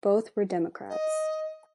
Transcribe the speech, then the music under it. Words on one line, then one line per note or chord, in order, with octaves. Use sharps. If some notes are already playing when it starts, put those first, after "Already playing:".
Both were Democrats.
D#5